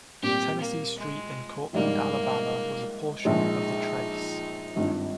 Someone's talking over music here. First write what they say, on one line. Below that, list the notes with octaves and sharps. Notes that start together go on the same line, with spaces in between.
Tennessee Street in Courtland, Alabama, was a portion of the trace.
A#2 G3 C4 G4
A#3
G#3
A#1 G#2 G3 A#3
A#1 A#2 F3 G#3 D#4
G#1 G2 G3 C4 F4